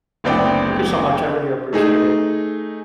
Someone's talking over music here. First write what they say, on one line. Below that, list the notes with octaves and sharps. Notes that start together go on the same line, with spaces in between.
Yeah. Thank you so much, I really appreciate it.
F#1 D2 B3 C4 D5 G5
A3 D#4 G#4